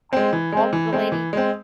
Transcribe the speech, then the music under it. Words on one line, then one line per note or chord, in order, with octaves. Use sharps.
I called the lady
G#3 C4
E3
G#3 C4
E3
G#3 C4
E3
G#3 C4